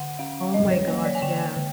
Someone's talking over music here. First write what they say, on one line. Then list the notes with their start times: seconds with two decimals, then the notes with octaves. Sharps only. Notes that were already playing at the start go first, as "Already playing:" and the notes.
Oh my gosh, yeah.
Already playing: D3 F#5
0.19 C#4 F5
0.54 F#3 D#5
0.71 C#5
0.88 A#3 C#5
1.05 D5
1.15 G#5
1.22 D3 G5
1.56 D3